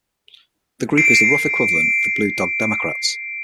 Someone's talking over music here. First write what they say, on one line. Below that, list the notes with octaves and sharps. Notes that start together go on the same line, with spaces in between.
The group is the rough equivalent of the Blue Dog Democrats.
C7 D7